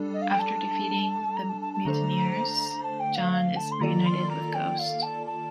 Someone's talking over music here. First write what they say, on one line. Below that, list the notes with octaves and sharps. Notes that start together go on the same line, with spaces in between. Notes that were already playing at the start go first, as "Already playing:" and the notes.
After defeating the mutineers, Jon is reunited with Ghost.
Already playing: G3 D4 A4
D#5
F5
G5
A5
A#5
A5
A5
A5
D3 A3 D4 A4 C5 A#5
A5
G5
F5
F5
A5
C6
D#3 A#3 F4 A4 D5 A#5
C6
A#5
G5
F5
A5
A5